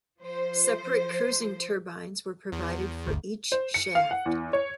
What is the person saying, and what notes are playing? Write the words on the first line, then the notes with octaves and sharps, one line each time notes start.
Separate cruising turbines were provided for each shaft.
F3 C5
E2
G1 D2
C5
C#7
F5
F#5
E2
C#5